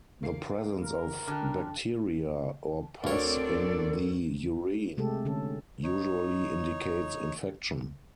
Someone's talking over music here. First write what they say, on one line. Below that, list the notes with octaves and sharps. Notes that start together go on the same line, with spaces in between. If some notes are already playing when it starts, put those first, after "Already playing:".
The presence of bacteria or pus in the urine usually indicates infection.
A#3 C7
A#4
D3 G5 A5 F6 F#6
D2 C4 D4 A4 A#4 C#5 D5
C3 G#3 A3 G4 A4
D3 C#4 A4
D#4 C#5